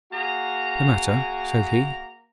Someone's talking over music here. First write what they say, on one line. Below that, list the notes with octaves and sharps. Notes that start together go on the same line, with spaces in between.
'The matter?' said he.
A#3 F#4 G#4 A#5